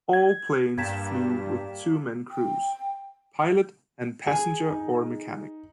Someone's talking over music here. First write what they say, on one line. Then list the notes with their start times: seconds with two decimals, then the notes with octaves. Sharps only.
All planes flew with two-men crews, pilot and passenger or mechanic.
0.13 G#6
0.78 G2 G3 A#3 G5 A5 G#6 B6 E7
2.31 G5
4.27 G#4
4.70 D#4